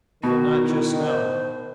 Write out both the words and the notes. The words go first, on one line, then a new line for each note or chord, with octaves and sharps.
But not just now.
B2 D#3 F#4
E4
C5